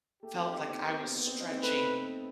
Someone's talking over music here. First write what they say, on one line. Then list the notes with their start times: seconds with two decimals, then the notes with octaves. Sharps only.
felt like I was stretching
0.23 A3 G4
0.34 C4
0.46 D#4
0.69 C4
0.81 B3
1.04 C4
1.17 B3
1.27 C4
1.40 D#4
1.52 C4
1.63 A3 B4